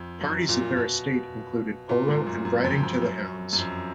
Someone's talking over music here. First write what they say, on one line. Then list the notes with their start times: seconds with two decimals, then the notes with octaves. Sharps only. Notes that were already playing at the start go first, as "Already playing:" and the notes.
Parties at their estate included polo and riding-to-the-hounds.
Already playing: F2
0.21 F#2
0.49 A#2
0.72 A#2
0.77 B2
1.89 A#2
2.08 G#2
2.27 F#2
2.45 F#2
2.64 F2
2.83 F2
3.02 F#2
3.53 F#2
3.58 F2